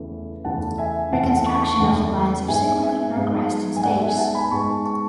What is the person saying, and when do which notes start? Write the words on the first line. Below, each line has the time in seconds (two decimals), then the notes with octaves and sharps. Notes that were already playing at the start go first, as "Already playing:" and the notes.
Reconstruction of the line subsequently progressed in stages.
Already playing: E2 C#3 E3 A3
0.44 E2 C#3 E3 A3 F#5 A5
0.78 E5 G#5
1.12 E2 C#3 E3 A3 F#5 A5
1.30 F#5 A5
1.46 A5 C#6
1.63 A5 C#6
1.80 E2 C#3 E3 A3 F#5 A5
2.48 G#2 G#3 B3 E5 G#5
2.82 E5 G#5
3.16 G#2 G#3 B3
3.76 G#5
3.83 G#2 G#3 B3 D5 F#5
4.00 E5 G#5
4.17 F#5 A5
4.34 G#5 B5
4.51 G#2 G#3 B3 A5 C#6
4.85 A5 C#6